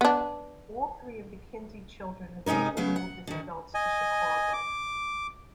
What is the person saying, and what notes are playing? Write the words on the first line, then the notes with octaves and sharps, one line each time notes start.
All three of the Kinzie children eventually moved as adults to Chicago.
B3 D4
C3 G#3 C#4 D#4 A#4
C#3 F#3 A3 B3 F5
F#5
D3 D#3
D#5 G#5
D6